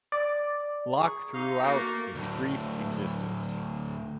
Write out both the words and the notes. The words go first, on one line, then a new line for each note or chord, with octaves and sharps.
Locke throughout its brief existence.
D5
G#4 A#5 C#6
D#4 F5
A3 A#3 F#4
D2 A2